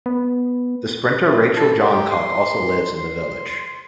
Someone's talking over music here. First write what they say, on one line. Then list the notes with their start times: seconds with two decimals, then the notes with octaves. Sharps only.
The sprinter Rachel Johncock also lives in the village.
0.06 B3
1.22 E4
1.56 A4
1.80 G4
2.11 C6
2.97 C6